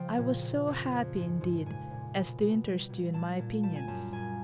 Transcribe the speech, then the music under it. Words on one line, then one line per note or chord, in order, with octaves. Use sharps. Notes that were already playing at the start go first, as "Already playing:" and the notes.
I was so happy indeed as to interest you in my opinions....
Already playing: C#3 F3 G5
A#2
A#2
F2
F2
G#2
G#2
A#2 G#5
A#2
B2
B2
G3
A#2
A#2 A5
A#2
G3 A5
G#5
F#2 A5
A#2 G#5